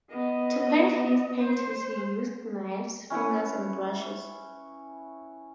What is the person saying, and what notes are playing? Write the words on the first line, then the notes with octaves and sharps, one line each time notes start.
To paint his paintings he used knives, fingers and brushes.
B3 D#5
C5
C#4 E4 B4 F#5